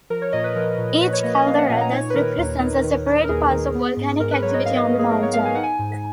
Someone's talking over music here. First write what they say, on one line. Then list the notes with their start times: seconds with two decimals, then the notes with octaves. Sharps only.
Each caldera thus represents a separate pulse of volcanic activity on the mountain.
0.10 F3 A#4
0.22 C#5
0.33 A#2 D#5
0.44 B4
0.56 F3 A#4
0.78 A#2
1.01 A#2 B4
1.13 C#5
1.23 A#3 D#5
1.35 D#5
1.46 C#4 F5
1.58 F#5
1.69 A#2 G#5
1.81 A#5
1.92 D#4 C#5
2.10 B4
2.15 D#3 A#4
2.38 D#2
2.60 D#4
2.83 D#3
3.06 D#4
3.24 A#4
3.29 D#2 G#4
3.52 D#3
3.75 B3
3.97 G#2
4.20 G#2 A#4
4.31 B4
4.42 F#3 C#5
4.54 D#5
4.65 G#2 F5
4.77 D#5
4.87 B3
4.99 G#4
5.11 D#4 A#4
5.23 C#5
5.33 B3 F5
5.45 G#5
5.55 D#4 F#5
5.63 G#5
5.79 G#2